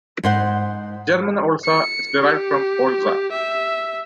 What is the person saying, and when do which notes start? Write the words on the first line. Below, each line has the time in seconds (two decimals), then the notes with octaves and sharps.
German "Olsa" is derived from "Olza".
0.24 G#2 C5 F#5
1.64 C#7
2.21 G4
3.32 E5